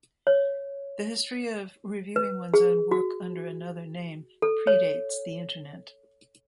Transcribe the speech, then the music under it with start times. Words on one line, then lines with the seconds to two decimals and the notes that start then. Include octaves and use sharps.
The history of reviewing one's own work under another name predates the Internet.
0.27 C#5
2.16 B4
2.54 G#4
2.91 F#4
4.42 A4
4.67 C#5